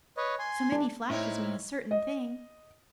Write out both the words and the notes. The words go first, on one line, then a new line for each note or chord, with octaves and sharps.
So many flashes mean a certain thing.
B4 C#5 D#5
G#5 C6
D4
A2 C4 D#4 E4 A#4 C#5
D#5